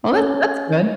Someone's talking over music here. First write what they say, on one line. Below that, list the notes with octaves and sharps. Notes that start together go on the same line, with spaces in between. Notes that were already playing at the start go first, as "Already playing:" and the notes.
Well, that that's good.
C#4